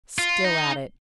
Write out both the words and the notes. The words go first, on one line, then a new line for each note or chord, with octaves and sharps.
"Still at it!"
F4
D#4